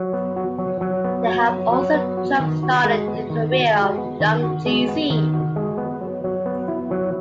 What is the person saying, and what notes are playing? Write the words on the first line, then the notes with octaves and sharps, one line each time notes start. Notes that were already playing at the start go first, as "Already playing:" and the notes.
They have also jump-started the career of Young Jeezy.
Already playing: F#3
B3
F#4
F#3
F#3
B3
F#4
F#3
F#3
B3
F#4
D#3
F#4
G#3
B3
D#3
F#4
G#3
B3
D#3
F#4
G#3
B3
D#3
F#4
G#3
B3
F#3
F#3
B3
E4
F#3